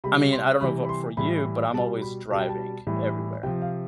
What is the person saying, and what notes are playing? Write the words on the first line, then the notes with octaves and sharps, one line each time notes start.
I mean, I don't know v for you, but I'm always driving everywhere.
C3 G3 B5
C6
C3 E3 G3 B5
B5
C6
A2 E3 G3 B5
B2 G3 A5
B5
B2 G3 A5
G5
A5
A2 E3 G3
C3 F3 G5
F5